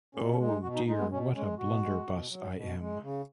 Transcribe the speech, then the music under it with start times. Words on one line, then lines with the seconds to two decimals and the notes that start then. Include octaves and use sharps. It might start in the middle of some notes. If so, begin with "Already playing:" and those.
Oh, dear, what a blunderbuss I am!
0.15 B2 C#4
0.32 C#4
0.39 G#3
0.48 D#4
0.63 B2 F#4
0.75 D#4
0.88 G#3 D#4
0.98 B3
1.11 B2 C#4
1.35 G#3 C#4
1.58 B2 F#4
1.83 G#3
2.07 B2
2.30 F#3
2.55 B2
2.79 G#3
3.03 C#3